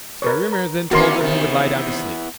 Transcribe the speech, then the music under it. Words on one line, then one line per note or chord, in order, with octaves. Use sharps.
Skrymir then told them he would lie down to sleep.
A#4 B4 C#5
A#5
D#2 A#3 B3 C#4 E4 F#4 A#4 C6
C3 D#3 A#4